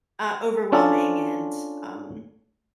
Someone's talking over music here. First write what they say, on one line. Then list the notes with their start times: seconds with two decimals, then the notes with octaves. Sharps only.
uh, overwhelming and, um,
0.72 C#4 D4 F4 A4